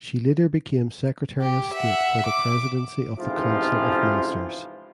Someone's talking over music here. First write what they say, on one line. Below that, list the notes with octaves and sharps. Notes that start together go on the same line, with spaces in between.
She later became Secretary of State for the Presidency of the Council of Ministers.
G4
E5 F#5
D6
A1 G#2 C3 F3 E4 F4